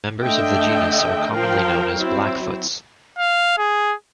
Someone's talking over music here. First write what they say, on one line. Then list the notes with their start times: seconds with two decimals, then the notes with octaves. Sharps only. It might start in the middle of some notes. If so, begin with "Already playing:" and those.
Members of the genus are commonly known as blackfoots.
0.21 D3 A3 D4 D#5 E5 G5
1.33 F3 A#4 F5 G5
1.96 F#3 C4 E4
3.19 F5
3.58 G#4